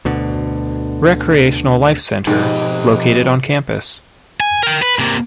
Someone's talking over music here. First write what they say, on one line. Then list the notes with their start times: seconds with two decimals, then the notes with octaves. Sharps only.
Recreational Life Center, located on campus.
0.05 D2 B2 D3
2.27 F2 G#2 B2 G4 D#5
4.40 G#5
4.63 A#4 G5
4.82 B4
4.99 C3 A#3